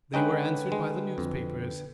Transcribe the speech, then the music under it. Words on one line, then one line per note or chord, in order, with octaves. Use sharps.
They were answered by the newspapers.
D3 G#3 C#4 D#4 B4 G5
G#3
F2